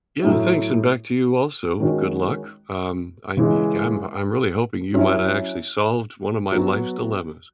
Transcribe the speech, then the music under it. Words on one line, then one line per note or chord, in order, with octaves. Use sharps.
Yeah, thanks, and back to you also, good luck, um, I ye I'm I'm really hoping you might o' actually solved one of my life's dilemmas.
A2 F#3 A3 E4
D#3 G#3 C#4 F#4
C#3 E3 G#3
F#3 C#4 E4
F#3 B3 F#4